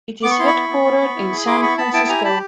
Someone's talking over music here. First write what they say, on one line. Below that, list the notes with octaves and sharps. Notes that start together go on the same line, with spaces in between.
It is headquartered in San Francisco.
B3 D6
C#6
E4 C6
B5 C#6
B3
B3
B3
B3
E4
G#4
E4 C6 D6
B3 B5 C#6
B3 A5 B5
E4 G5 A5
G4 G#5 A#5
G4 A5 B5